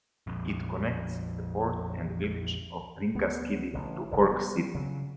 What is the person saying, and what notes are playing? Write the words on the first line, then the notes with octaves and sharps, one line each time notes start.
It connects the port and village of Ringaskiddy to Cork city.
A#1 F2
D2 B3
A1 C#3
F1 E2 E3
G3 B3
C#3 F#3